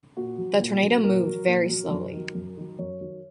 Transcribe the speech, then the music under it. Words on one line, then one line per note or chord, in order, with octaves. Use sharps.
The tornado moved very slowly.
A#2 F#4
F#3
A#2
F#3
A#2 A#4
F#3
A#2
F#3
F#2
D#3 F#3
F#2
D#3 F#3
F#2 C#5
D#3 F#3